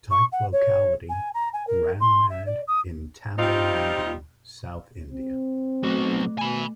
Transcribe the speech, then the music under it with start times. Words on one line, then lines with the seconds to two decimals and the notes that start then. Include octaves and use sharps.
Type locality: Ramnad in Tamil Nadu, south India.
0.10 C#6
0.32 F#5
0.52 C#5
1.09 G#5
1.34 A#5
1.53 G#5
1.67 A#4
2.00 C6
2.29 E5
2.46 D5
2.67 D#6
3.39 G3 C4 D#4 F4
5.09 C4
5.83 B1 A3 F#4
6.39 B2 G#5 B5